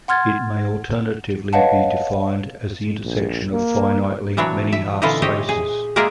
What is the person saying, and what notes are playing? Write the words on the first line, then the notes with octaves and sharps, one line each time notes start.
It may alternatively be defined as the intersection of finitely many half-spaces.
F#5 C6 F6 G#6 A6
B4 C#5 D#5 F5 F#5 A5
A#1
A#3
A#2 E3 F#3 D4 C#5
E5
A#2 D3 E3 E4 F4 D#5
G4 C5 C#5 D#5 E5
G#4
G#3 A#3 G#4 A#4 D5 E5